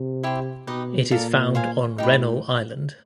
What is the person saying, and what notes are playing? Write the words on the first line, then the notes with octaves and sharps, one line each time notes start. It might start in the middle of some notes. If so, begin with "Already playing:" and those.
It is found on Rennell Island.
Already playing: C3
E4 G4 C5
B2 D#4 G4 B4 D#5
A#2 A4 D5 F5 A#5
C5 F5 G#5
A2 D#4 G4 B4